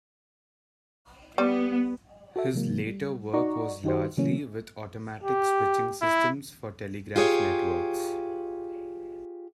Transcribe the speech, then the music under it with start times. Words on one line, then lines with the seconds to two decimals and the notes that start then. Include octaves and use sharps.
His later work was largely with automatic switching systems for telegraph networks.
1.38 G3 B3
2.36 F#4 A4 E5
2.54 C3 E3 F#3 G#3 A#3
2.87 G3
3.33 D#4 F#4 D5 F#5 A#5 C#6
3.84 D#3 D#4 F#4 G4 C5
4.17 C#3 E3 F#3 A3 A#3 C#4
5.24 G4
6.02 E4
7.16 F4 G4 G#4 C#5